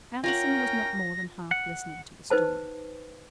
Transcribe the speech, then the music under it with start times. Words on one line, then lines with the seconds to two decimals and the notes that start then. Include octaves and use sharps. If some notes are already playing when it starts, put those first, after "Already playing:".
Allison was not more than half listening to the story.
0.24 C#4 F4 A#4 C#5 F#5 G5 A#6
1.51 F#5
2.30 D#4 B4 C5 A5